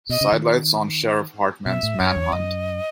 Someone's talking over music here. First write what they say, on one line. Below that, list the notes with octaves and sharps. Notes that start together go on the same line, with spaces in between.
Sidelights on Sheriff Hartman's manhunt.
B2 D#5
C#3
D#3
B2 E5
A2
F#2 C#5
E2
F#2 D#5